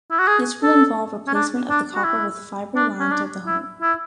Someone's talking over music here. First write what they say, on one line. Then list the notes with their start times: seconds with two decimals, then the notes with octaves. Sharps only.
This will involve replacement of the copper with fibre line to the home.
0.11 E4
0.19 F#4
0.28 G#4
0.63 A4
1.27 C#4
1.34 D4
1.69 D4
1.95 F#4
2.04 E4
2.76 D4
2.99 C#4
3.11 D4
3.46 E4
3.82 E4